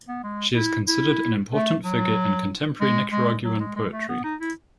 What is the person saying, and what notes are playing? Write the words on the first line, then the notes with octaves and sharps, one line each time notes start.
She is considered an important figure in contemporary Nicaraguan poetry.
B3
G#3
E4
E4
A3
F#3
G#3
G#3
F#3
G#3
G#3
A3
B3
D#4
E4